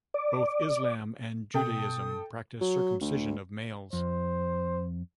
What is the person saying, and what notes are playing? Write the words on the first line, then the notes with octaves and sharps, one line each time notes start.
Both Islam and Judaism practice circumcision of males.
D5
B2 A4 G5 D#6
F#3
D2
F2 C5